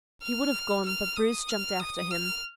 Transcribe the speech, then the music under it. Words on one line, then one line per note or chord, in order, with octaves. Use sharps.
He would have gone, but Bruce jumped after him.
F6
F6
D#6
F6
D#6
F6